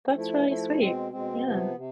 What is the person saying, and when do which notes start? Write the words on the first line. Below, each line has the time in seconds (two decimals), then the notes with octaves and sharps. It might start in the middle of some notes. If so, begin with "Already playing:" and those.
That's really sweet, yeah.
0.14 F3 A3 E4
0.47 F3 A3 E4
0.79 B2 G#3 C4
1.12 B2 G#3 C4
1.44 C3 F3 B3
1.76 C3